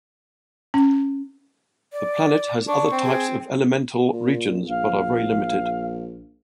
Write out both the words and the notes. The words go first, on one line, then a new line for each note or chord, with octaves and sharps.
The planet has other types of elemental regions but are very limited.
C#4
D5
D4 C#6
C4
G#4
A#2
A#1 F5